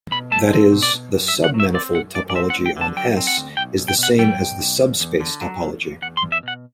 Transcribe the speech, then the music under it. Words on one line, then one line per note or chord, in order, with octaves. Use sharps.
That is, the submanifold topology on "S" is the same as the subspace topology.
B2 B5
A3 A5
C4
B2
D5
B2
F#2
E5
F#2
F#5
F#3
E5
C4 D5
F#2 F#5
F#2 D5
D5
C4 E5
F#5
D2
G5
D3 A5
F#3 G5
C4
F#5
D2
B1 G5
B1
G5
B2 F#5
F#3 G5
B1
B1
E2
E2
D3
F#3
E2
E2
E2 F#5
C6
E2
E5
B2 F#5